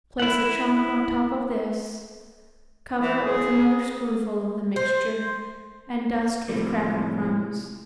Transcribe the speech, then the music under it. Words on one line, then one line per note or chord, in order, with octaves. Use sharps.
Place a chop on top of this, cover it with another spoonful of the mixture and dust with cracker crumbs.
E4 F#5
E3
G#4
C5
A2 C3 F3 G3